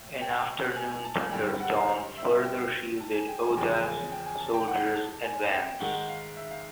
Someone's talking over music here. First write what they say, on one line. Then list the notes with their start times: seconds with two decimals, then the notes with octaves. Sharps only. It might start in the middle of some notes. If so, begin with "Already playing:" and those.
An afternoon thunderstorm further shielded Oda's soldiers' advance.
Already playing: A2
0.21 G5
0.76 G#5
0.91 G#5
1.05 A5
1.18 G#5
1.32 G2 D3 G3 G5
1.47 G5
1.60 F#5
1.74 F5
1.88 C5
2.17 E5
2.45 G5
3.00 A5
3.14 G#5
3.28 G5
3.43 G#5
3.57 E2 C#3 F3 G#3 G5
3.84 G#5
4.12 G5
4.26 G#5
4.40 A5
4.54 G5
4.68 F#5
4.96 A5
5.25 G#5
5.53 G5
5.80 G#2 D#3 G#3 F#5
6.09 F5
6.37 E5
6.50 F5